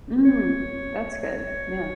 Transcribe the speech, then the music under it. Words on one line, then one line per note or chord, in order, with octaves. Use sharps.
Mm. That's good. Yeah.
C#5
C#5